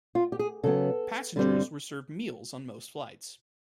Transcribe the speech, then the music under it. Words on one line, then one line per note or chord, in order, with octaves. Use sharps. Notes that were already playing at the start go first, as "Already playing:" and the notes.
Passengers were served meals on most flights.
F4
G4
G#4
C#3 F#3 B3 A4
G2 D3 G3 C4